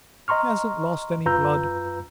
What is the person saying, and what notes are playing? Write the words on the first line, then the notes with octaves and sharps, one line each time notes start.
He hasn't lost any blood.
D#5 A#5 C6 C#6 F6
F#2 F4 B4 A#5 E6 G6